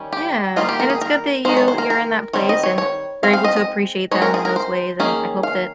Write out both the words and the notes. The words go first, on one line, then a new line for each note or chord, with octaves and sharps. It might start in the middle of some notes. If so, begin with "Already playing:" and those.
Yeah. And it's good that you you're in that place and you're able to appreciate them in those ways, and I hope that,
Already playing: D#3 G3 C#4
G4
D#3 G3 A#3 D#4 F4
G4
A#4
G#4
A#4
D#3 G#3 D#4 C5
C#5
C5
A#4
A#4
D#3 G3 C4 C#5
D#5
C#5
C#5
G#3 C4 F5
F5
D#5
D#5
G#3 C4 D#4 C#5
A#4
G#4
A#4
C5
D#3 A#3 C#4 G#4
F5